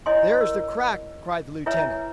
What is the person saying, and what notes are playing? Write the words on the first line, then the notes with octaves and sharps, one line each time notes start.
"There is the crack!" cried the lieutenant.
E4 C#5 D#5 G#5 C6
A#4 E6
E4 B4 C#5 E5 G#5 A#5